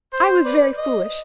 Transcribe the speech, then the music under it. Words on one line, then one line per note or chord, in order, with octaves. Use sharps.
I was very foolish.
C5
B4 D5
D#5